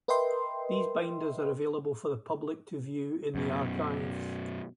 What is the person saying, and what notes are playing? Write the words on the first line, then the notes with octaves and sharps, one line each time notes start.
These binders are available for the public to view in the archives.
A#4 B4 D#5 E5 G5 C6
F#2 B2